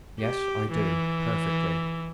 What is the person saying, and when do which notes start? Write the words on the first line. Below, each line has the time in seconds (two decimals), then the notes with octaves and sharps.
Yes; I do, perfectly.
0.21 G4
0.72 E3